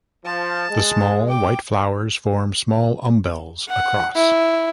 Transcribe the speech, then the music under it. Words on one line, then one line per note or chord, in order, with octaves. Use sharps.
The small white flowers form small umbels, across.
F3 A5
G#3
G5 D6
F#5
E4